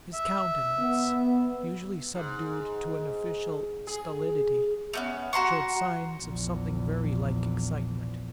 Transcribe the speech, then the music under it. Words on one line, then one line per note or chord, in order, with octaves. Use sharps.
His countenance, usually subdued to an official stolidity, showed signs of something very like excitement.
E5
B3
G#2
G#4
A3 B3 C#4
F#4 A#5 C6 C#6
A#1 E2